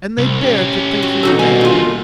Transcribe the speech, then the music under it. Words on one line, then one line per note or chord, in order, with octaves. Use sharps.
And they dared to think you were mad!
C2
C#4 G4
F#4
B2 D3 D#4 F#4 A4
G3 A#3 G#5
A2 F4